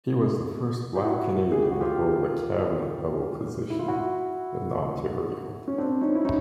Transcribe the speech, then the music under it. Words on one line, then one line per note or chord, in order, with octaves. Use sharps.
He was the first Black Canadian to hold a cabinet-level position in Ontario.
G4
E4 F#4
G#4
G4
F#4
F4 G4
E4
F4
E4 F#4
C#4
C4 D4
C#4 D#4
E4
C#4 D#4